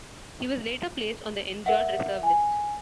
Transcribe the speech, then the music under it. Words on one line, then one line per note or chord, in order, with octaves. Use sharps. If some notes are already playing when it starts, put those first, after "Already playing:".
He was later placed on the injured reserve list.
A#4 E5 F#5
G#5